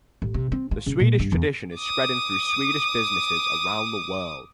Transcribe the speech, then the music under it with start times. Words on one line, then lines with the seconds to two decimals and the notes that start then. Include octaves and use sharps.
The Swedish tradition is spreading through Swedish businesses around the world.
0.22 A1
0.34 C3
0.52 C4
0.71 F4
0.86 C#3
1.00 A#2
1.19 G2
1.32 E2
1.77 D6 D#6